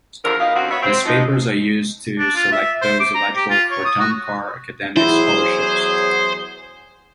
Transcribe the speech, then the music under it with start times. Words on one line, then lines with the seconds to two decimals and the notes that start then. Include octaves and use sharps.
These papers are used to select those eligible for John Carr academic scholarships.
0.25 E2 D3 F3 A#4
0.39 B2 D#4 F5
0.55 F#2 D3 C4 F#4
0.70 B3 C#5 E5
0.82 C4
1.05 F3 G#3 B3 D#4
2.18 D4
2.36 F4
2.52 E5
2.81 C5
3.00 D6
3.15 A#5
3.36 G4
3.50 F4
3.71 C#5
3.85 D#6
3.99 F#4
4.97 E2 F#3 E4 G#4 C5